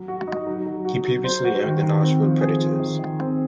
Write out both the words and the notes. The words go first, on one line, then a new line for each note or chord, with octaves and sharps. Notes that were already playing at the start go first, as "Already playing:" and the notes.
He previously owned the Nashville Predators.
Already playing: F#3
F#4
D#4
F#3
F#3
F#4
F#3
C5
F#4
D#3
D#3
C4
F3
G#4
F4
D#3
D#3
C4